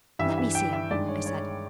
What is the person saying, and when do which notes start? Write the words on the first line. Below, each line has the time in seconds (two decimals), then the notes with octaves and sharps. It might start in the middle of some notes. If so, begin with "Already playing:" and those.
"Let me see him!" I said.
0.19 G2 E3 G3 E5
0.38 E5
0.55 G5
0.73 E5
0.90 G2 D#3 G#3 D5
1.08 C#5
1.26 C#5